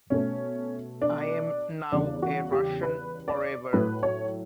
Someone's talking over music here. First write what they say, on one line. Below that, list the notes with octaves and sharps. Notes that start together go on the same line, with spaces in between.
I am now a Russian forever.
B2 A3 C#4
D4
E2 C#3 G3 D4
F#4
G4
B4
D5
A2 F#3 A3 B4
C#5